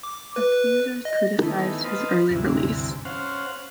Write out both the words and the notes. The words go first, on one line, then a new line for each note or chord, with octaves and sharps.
Accusers criticized his early release.
D6
B4
D#5
D#3 E3 A3 B3
F4 B4 C5 D#5
D2 G2 C3 E3
C#4 C5 F5 F#5